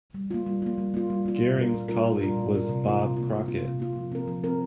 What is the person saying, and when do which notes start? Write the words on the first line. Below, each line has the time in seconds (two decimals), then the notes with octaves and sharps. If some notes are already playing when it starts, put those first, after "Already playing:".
Garing's colleague was Bob Crockett.
0.14 G3
0.31 A#3 F4
0.46 G3
0.62 A#3 F4
0.78 G3
0.94 A#3 F4
1.10 G3
1.26 A#3 F4
1.42 A#2
1.57 G3 D4 F4 A#4
1.73 A#2
1.89 G3 D4 F4 A#4
2.05 A#2
2.21 G3 D4 F4 A#4
2.37 A#2
2.53 G3 D4 F4 A#4
2.69 C3
2.85 A#3 F4
3.01 C3
3.16 A#3 F4
3.33 C3
3.48 A#3 F4
3.64 C3
3.80 A#3 F4
3.96 F3
4.12 C4 A#4
4.28 F3
4.44 C4 A#4